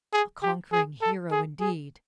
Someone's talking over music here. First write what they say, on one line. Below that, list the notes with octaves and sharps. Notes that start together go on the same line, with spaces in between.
A conquering hero, indeed!
G#4
G4
G#4
A4
G#4
G#4